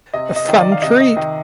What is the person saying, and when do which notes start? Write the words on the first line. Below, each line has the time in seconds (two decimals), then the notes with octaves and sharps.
A fun treat.
0.13 C3 D#5
0.36 D#5
0.49 D#3
0.60 D5
0.72 F5
0.82 C3 D#5
1.00 D#5
1.17 D#3 D#5